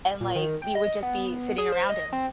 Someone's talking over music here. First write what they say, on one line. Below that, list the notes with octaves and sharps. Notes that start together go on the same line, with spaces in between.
and, like, we would just be sitting around him.
A#2
D#3
G5
D#5
B3
G#4
C5
D#5
C4